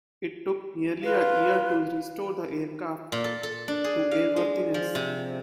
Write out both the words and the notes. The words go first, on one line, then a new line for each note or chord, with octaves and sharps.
It took nearly a year to restore the aircraft to airworthiness.
F4 B4
A#2
A4
A4
D4
G#4
F5
G#3
F3
C3